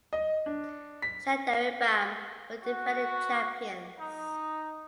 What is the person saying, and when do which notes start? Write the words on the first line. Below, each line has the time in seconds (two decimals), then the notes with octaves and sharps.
Shahrdari Bam were the defending champions.
0.13 D#5
0.46 D4
1.02 B6
2.64 F#4
4.00 D#4